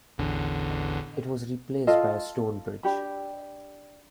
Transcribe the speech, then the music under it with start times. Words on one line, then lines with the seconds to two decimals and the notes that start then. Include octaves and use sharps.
It was replaced by a stone bridge.
0.18 A1 E2 D3
1.87 F4 A4 D#5 F5
2.83 D4 G4 B5